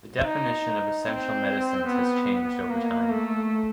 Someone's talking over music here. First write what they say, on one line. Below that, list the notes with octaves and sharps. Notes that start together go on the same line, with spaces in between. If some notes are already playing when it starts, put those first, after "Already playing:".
The definition of essential medicines has changed over time.
D#4
C4
B3
B3
A#3
A3